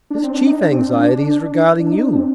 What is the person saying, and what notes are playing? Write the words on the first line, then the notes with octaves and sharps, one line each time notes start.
His chief anxiety is regarding you.
D4
C4
D4
D#4
D4
C4
D4
D4
D#4
D4
C4